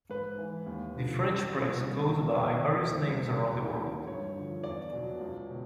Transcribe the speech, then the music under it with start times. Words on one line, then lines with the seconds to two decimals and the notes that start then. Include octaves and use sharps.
The French press goes by various names around the world.
0.10 G#2 B4
0.38 E3
0.66 D#2
0.96 D3 F3
1.24 F#2
1.52 C#3 F3
1.80 C2
2.08 A#2 F3
2.37 E2 B4
2.65 C#3 E3
2.93 C2 C5
3.23 A#2 F#3
3.51 D#2
3.79 D#3 F#3
4.07 G2 C#5
4.36 D3 F3
4.64 E2 D5
4.93 B2 F#3
5.21 C#2
5.50 B2